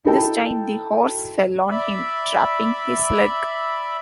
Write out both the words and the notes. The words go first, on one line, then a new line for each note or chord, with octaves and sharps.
This time the horse fell on him, trapping his leg.
D#4 E4 F#4 A4 G5 A5
D5 E5 B5